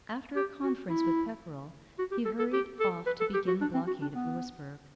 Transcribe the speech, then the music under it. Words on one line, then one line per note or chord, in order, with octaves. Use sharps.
After a conference with Pepperrell he hurried off to begin the blockade of Louisbourg.
G4
F#4
E4
F#4
G4
A4
A4
G4
A4
B4
A4
G4
F#4
D4
C4
F#4
D4
B3